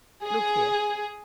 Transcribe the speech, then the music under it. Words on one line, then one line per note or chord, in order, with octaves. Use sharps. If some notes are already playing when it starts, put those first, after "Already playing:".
Look here!
G#4